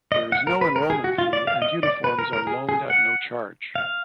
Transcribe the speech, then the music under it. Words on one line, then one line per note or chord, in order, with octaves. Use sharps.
There is no enrollment fee and uniforms are loaned at no charge.
D#5
F#5
A#4
B4
A#4
G#4
F#4
F4
D5
F5
D#5
D5
B4
A#4
A#4
G#4
G#4
F#5
F5